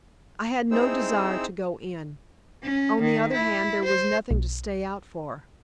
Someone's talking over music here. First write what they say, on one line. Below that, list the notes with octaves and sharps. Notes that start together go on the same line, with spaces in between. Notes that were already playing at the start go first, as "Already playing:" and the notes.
I had no desire to go in; on the other hand, there was nothing to stay out for.
C4 D#4 E4 G#4 C5 E6
C#4
D#3
E4
C5
B1